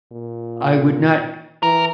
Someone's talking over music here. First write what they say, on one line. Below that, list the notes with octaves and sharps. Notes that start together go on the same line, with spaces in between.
I would not,
A#2
E3 A#4